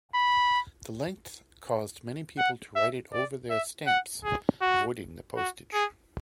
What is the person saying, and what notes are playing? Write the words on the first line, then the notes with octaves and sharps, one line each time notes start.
The length caused many people to write it over their stamps, voiding the postage.
B5
F#5
E5
D5
E5
F#5
G#4
F#4
F#4
G#4